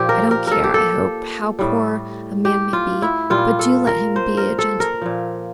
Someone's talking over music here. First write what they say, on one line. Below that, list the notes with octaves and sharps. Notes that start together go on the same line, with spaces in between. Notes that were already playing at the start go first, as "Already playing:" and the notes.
I don't care, I hope, how poor a man may be, but do let him be a gentleman.
Already playing: A#2 F3 G4
A#4
A#4
A4 A#4
G4
A4
A2 G3
G4
F4
E4
A#2 G3 F4
A4
A#4
C5
A#4
A4
A#4
A#2 F3